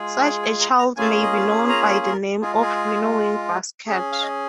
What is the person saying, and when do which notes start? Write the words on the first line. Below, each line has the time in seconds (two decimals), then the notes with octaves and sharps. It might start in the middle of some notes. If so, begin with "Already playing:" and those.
Such a child may be known by the name of Winnowing Basket.
Already playing: G#3 F4 G#4
0.24 C#5
0.42 G#5
0.61 A#5
0.79 A#5
0.96 A#3 C#4 F4 G#4 G#5
1.22 D#5
1.33 F5
1.69 A#5
2.06 A#4
2.42 G#3 F4 G#4
2.61 G#4
3.87 C#4 G#4
4.12 F5
4.23 D#5